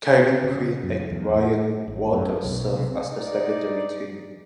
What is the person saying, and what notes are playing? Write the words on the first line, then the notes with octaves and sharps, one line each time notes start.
Kevin Quinn and Ryan Walter served as the secondary team.
C#3
F#2
E2
A2
G#1
F#2
B1
C3
D#4 G#4 D5